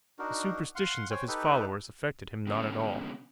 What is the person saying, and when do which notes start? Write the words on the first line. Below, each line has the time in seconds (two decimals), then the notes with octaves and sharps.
The superstitions of his followers affected him not at all.
0.19 D4 D#4 F#4 A#4
0.75 F5 F#5 C6
1.11 C5 C#5 G5 G#5
1.28 D#4 G4 A4 B4
2.47 B2 D3 G#3 C#4